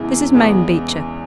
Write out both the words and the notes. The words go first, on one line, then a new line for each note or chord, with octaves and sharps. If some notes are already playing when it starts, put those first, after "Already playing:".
This is Mame Beecher.
Already playing: E2 C#3 G#3 B3 E4
E2 C#3 G#3 B3